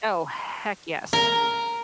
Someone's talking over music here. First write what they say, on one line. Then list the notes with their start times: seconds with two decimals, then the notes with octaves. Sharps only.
Oh, heck yes.
1.13 A#4